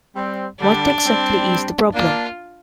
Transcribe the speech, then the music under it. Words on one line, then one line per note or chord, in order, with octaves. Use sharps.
What exactly is the problem?
G3 C4
D3 G3 D4
G3 C4
A#3 D4 F4